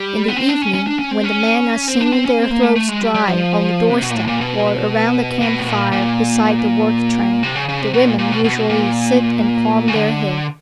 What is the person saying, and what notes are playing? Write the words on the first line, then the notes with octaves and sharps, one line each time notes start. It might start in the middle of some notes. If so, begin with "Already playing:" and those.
In the evening, when the men are singing their throats dry on the doorstep, or around the camp-fire beside the work-train, the women usually sit and comb their hair.
Already playing: G3
B3
C4
D4
C#4
C#4
D4
C#4
C4
C#4
C4
D4
C4
C#4
C4
A#3
A3
A3
G#3
G3
G3
F3
C3
B2
A#2
A2
A#2
B2
B2
A2
A#2
A#2
C3
C#3
C#3
C3
B2
A#2
A#2
B2
B2
A#2
C#3
D3